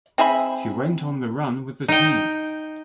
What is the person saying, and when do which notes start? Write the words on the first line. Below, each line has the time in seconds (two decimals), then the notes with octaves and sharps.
She went on the run with the team.
0.18 C4 G#4 E5 B5
1.88 D#4 G5